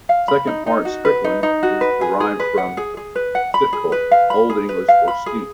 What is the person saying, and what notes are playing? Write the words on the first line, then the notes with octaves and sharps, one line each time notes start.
The second part "Stickland" is derived from "sticol", Old English for "steep".
F5
B5
D#4
D#4
F#4
B4
D#4
D#4
F#4
B4
G#4
G#4
B4
F#5
G#4
G#4
B4
F#5
B5
G#4
B4
F5
B5
G#4
B4
F5
B5
G#4